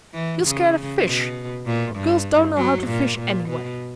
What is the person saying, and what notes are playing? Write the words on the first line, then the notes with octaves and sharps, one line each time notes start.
"You'll scare the fish. Girls don't know how to fish, anyway."
E3
C#3
B2
A#2
G2
F#3
A#2
A#2
B2